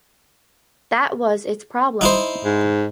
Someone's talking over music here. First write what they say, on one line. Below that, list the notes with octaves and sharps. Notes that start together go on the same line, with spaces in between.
That was its problem.
D#4 E4 C5
G#2